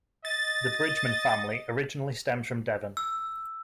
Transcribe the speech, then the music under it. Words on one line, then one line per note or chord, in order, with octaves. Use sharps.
The Bridgeman family originally stems from Devon.
D#5 A6
E6